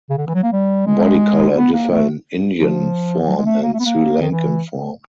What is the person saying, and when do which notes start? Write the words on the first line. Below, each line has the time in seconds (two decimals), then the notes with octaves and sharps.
Body color differ in Indian form and Sri Lankan form.
0.10 C#3
0.18 D3
0.27 E3
0.35 F#3
0.43 A#3
0.52 G3
0.86 G#3
1.56 B3
1.73 A#3
1.90 A3
2.59 F3
3.28 F#3
3.37 G#3
3.45 A3
3.63 A#3
3.73 A3
3.80 B3
3.85 A#3
4.21 D#3
4.31 E3